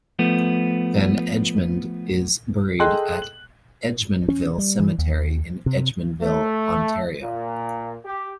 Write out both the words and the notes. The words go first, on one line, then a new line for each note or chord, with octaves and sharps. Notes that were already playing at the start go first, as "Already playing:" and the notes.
Van Edgmond is buried at Egmondville Cemetery in Egmondville, Ontario.
F3 A3 B3
G#4 A4 D#5 G5 C6 F#6
F#7
C#4
G3
E3
D#2
C3
A3
A#2
G4